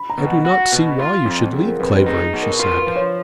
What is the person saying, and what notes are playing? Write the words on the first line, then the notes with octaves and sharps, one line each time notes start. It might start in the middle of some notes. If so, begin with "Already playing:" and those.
"I do not see why you should leave Clavering," she said.
Already playing: B5
A#5
B2
F#5
F#4
B2
F4
F2
F2 G#4
A#4
F2 B4
B4
D#4 G#4
B2
A#4
F4 A#4
B4
F3
C#5